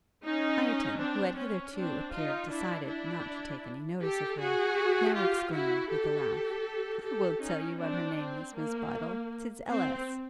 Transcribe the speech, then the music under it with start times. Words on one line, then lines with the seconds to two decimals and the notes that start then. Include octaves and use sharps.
Ireton, who had hitherto appeared decided not to take any notice of her, now exclaimed, with a laugh, 'I will tell you what her name is, Miss Bydel; 'tis L.S.'
0.24 C#4 D#4
0.99 C4 D4
1.37 C#4
1.75 C4 D4
2.13 D#4 F4
2.50 D4 E4
2.88 D4 E4
4.01 G4 A4
4.39 F#4 G#4
5.15 F4 G4
5.53 E4 F#4
5.91 G4 A4
7.04 G4 A4
7.42 C#4 D#4
7.80 C4 D4
8.18 C4
8.56 A#3
9.69 C4